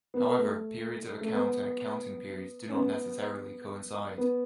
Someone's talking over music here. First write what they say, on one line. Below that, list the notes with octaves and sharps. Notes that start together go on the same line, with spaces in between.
However, periods of account and accounting periods do not necessarily coincide.
B3
A3
A3
B3
C#4
B3
B3